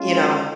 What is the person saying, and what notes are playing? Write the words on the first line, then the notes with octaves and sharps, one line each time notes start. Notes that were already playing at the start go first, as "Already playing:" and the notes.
you know,
Already playing: G#3 C#4 F4